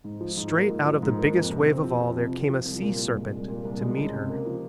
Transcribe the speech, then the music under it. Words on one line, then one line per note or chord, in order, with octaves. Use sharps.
Straight out of the biggest wave of all there came a sea serpent to meet her.
G#2
F3
G#2
A#3
G#2
F3
G#2
A#3
F2
C3
C4
F3
F2
C3
C4
F3
C2
A#2
C2
G#3
C2
A#2
C2
G#3
C#2
C3
A#3
F3